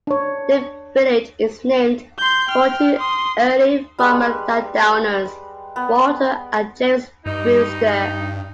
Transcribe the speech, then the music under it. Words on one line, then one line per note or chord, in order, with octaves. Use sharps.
The village is named for two early farmer landowners, Walter and James Brewster.
D4 C#5
C6 G6
G5 F6
C6 D#6
G3 G#3 B4
B3
G2 D#4